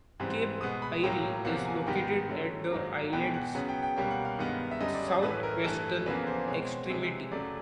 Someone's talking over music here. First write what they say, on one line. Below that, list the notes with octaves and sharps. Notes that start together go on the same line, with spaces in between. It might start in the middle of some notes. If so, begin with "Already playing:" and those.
Cape Airy is located at the island's southwestern extremity.
G#2 E3 G3 C4
B2 G#3 B3 D#6
B5
A2 F#3 A#3 G5
E2 C3 F3 A#3 F#5
F#5
G#5
G#2 D#3 G3 B3 G5
D3 F#3 A3 C#4
G#2 D#3 F#3 A#3
E2 B2 G#3 B3 G5
F#5
C#3 F#3 B3 F#5
G5
G5
B2 G3 A#3 C#4 G5
F#5
F5
G2 D#3 G#3 B3
E5
F#2 D3 G3 D#5
D5
C#5
A2 E3 A3 B4
A#4
G2 E3 A3 A4
E2 C#3 F3 A#3 B4
C5
B2 G#3 C4 C#5
C3 E3 G#3
F#2 C#3 F#3 A3 D5